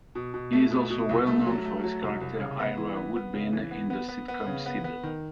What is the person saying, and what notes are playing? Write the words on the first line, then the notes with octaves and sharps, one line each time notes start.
He is also well known for his character Ira Woodbine in the sitcom "Cybill".
B2
B2
A3
B2
B2
C2
A3
F#3
A3
F#3
C2
C2
C#3
B3
E3
B3
B3
C#3
E3
B3
B3
B3
B3
C#3
B3
B3
D#3